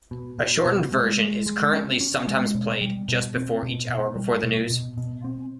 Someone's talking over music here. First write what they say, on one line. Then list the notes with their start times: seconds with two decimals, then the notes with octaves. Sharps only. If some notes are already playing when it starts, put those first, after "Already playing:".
A shortened version is currently sometimes played just before each hour before the news.
0.11 B2
0.39 B2
0.65 B2
0.92 G#3
1.20 G#3
1.46 G#3
1.73 C#4
2.00 C#4
2.28 G#3
2.54 B2
2.81 G3
3.08 B2
3.35 C4
3.63 B2
3.89 B2
4.16 G3
4.43 B2
4.70 B2
4.98 B2
5.24 C4